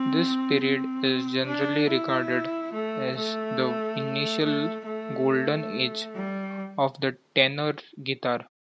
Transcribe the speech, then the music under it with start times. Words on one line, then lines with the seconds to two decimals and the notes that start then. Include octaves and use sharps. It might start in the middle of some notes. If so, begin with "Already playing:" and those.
This period is generally regarded as the initial "golden age" of the tenor guitar.
Already playing: C4
0.61 C4
1.46 D4
1.88 E4
2.73 A3
3.16 A3
4.44 A3
4.86 A3
6.15 G3